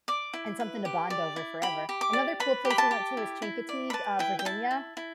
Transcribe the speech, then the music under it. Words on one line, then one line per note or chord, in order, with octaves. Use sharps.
And something to bond over forever. Another cool place we went to was Chincoteague, uh, Virginia,
D5 D6
E4
B4
G4
D5
E4
G4 B5
G4
D6
D5
B4 B5
G4
B5
A5
G4
E4
E4
D5
B5
B4 A5
E4 G5
G5
E4 A5
E4
E4